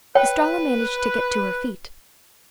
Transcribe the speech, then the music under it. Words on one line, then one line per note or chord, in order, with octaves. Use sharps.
Estralla managed to get to her feet.
B4 C#5 G5